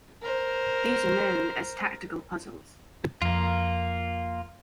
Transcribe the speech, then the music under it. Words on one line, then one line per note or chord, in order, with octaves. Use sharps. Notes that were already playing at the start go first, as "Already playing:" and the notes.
These are known as tactical puzzles.
A#4 C5
F2 A#3 F4